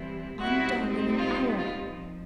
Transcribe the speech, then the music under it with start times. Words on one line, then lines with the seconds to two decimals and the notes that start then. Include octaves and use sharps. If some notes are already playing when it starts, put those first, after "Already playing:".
Undone in an hour!
Already playing: E3 G3 C4 E4
0.39 A#2 G3 C4 D#4 E4 F#4
1.19 F4
1.57 F4
1.96 F3